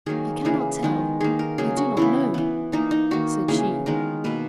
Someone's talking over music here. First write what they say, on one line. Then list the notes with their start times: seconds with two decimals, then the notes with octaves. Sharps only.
"I cannot tell; I do not know," said she.
0.06 D#3 F#3 A#3 G#4
0.45 C#3 E3 A#3 G#4
0.83 D#3 G#3 B3
1.20 D#3 A#3 G#4
1.39 A#4
1.58 C#3 F#3 A#3 G#4
1.77 F#4
1.97 C#3 E3 B3 E4
2.34 E3 B3
2.72 E3 A#3 D#4
2.91 D#4
3.11 D#3 A#3 F#4
3.48 C#3 E3 A#3 G#4
3.86 D#3 G#3 B3 A#4
4.24 B2 A#3 B4